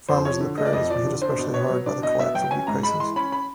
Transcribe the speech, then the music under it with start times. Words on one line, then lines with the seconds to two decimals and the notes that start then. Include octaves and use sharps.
Farmers in the Prairies were hit especially hard by the collapse of wheat prices.
0.09 F2 C5
0.24 F3 C#5
0.41 D3
0.57 A3 D#5
0.66 D5
0.73 F2 D#5
0.90 F3 D5
1.06 D3
1.21 D4 C5
1.38 B2
1.54 B3 C#5
1.70 F#3
1.86 D4 D5
2.02 B2 D#5
2.19 B3 E5
2.35 F#3 G5
2.51 C#4 G#5
2.67 G#2 A#5
2.83 G#3 B5
3.00 E3 C6
3.16 C#4 B5
3.32 B5